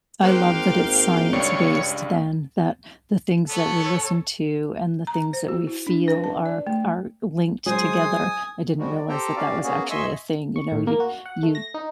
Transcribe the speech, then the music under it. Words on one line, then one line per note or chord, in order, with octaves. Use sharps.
I love that it's science based then that the things that we listen to, and the things that we feel are are linked together. I didn't realize that that was actually a thing, you know, y you
G#1 A#3 C5 F5 G5 F#6
C#2 G2 C#5 D5
B3 A4 C#5
A#5
C5
F#4
E4
D4
B4
A5
D5
A3
F#3 G#3 C5 G#5 D#6
F3 G3 G#3 F#4
D5
G4 A4 C5 G5 A#5
C#4 F#4 G4 D5 F5
A#3 B3 C#4 F#4 G#4
D#5 E5 G#5 C6 C#6 E6
C#6
A2
A#3
F#4
F#5
A3
A#6
D#4